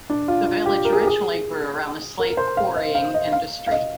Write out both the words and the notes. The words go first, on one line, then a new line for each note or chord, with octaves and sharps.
The village originally grew around the slate quarrying industry.
D4
F4
F4
G4
A#4
G#4
G4
G#4
A#4
A#4
C5
F5
D#5
F5
D#5
F5
F5
D#5